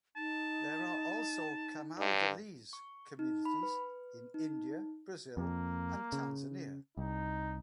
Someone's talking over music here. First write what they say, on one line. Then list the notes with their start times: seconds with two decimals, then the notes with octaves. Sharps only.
There are also Camaldolese communities in India, Brazil, and Tanzania.
0.16 D#4 A5
1.99 G2
2.73 C#6
3.19 D#4
3.45 B5
3.63 B4
4.34 D#4
5.37 F2 A#3
6.13 C#3
6.97 C2 D#4